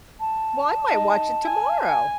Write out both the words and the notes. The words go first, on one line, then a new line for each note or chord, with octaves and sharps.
Well, I might watch it tomorrow.
A5
D#4
G#5
G#5